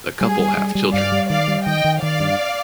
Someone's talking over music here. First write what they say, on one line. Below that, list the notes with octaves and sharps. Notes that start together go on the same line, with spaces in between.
The couple have children.
G3 G#4
G3
G3
G3
G2 D5 F5
G3
D#3 D5 F5
G3
D#3 D#5 G5
D#3
D#3 D5 F5
G2